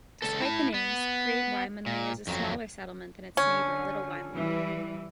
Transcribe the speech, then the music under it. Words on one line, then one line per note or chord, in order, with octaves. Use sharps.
Despite the names, Great Wymondley is a smaller settlement than its neighbour, Little Wymondley.
C#2 A4
E4 A5
B3
A#2
F2 F#3
D3 C#4
E3 G3